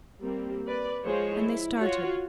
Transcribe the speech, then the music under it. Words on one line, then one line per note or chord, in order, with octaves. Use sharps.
And they started.
G3 A#3 C4
B4 D5
F3 G#3 F4 C5 C#5
E4
F4 F#4 C#5